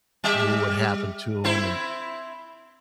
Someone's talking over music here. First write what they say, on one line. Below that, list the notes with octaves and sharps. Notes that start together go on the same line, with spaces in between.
knew what happened to him, and,
G3 G4 E5
C4 E4 C5